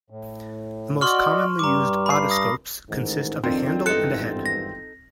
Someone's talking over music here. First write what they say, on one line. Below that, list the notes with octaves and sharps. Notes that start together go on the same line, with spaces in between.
The most commonly used otoscopes consist of a handle and a head.
A2
F#4 D5 D#5 C6 C#6 F6
G2 A#5 D6
B5 C7
D#6 A#6
A1 G#2 D#3
F2 D#3 C4 D4 F4
G#1 E2 G2 D#4 A4 F#6 C#7
A#6